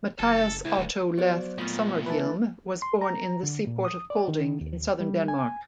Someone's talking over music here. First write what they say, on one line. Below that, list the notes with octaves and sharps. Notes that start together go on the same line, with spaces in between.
Mathias Otto Leth Sommerhielm was born in the seaport of Kolding in southern Denmark.
F#1 A4
C#2 E4
D1
F#3 B3 C5 D5
A#2 F3 A3 B3
E3 B4 A5
C6
A#5
D3
A#2
D#6
D5
D#3
D#2
G3
G#5